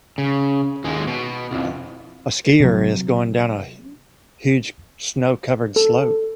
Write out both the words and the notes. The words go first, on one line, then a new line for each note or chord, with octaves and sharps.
A skier is going down a huge snow covered slope.
C#3
D#2 G#3
B2
C2 F2
C3 F#3
A4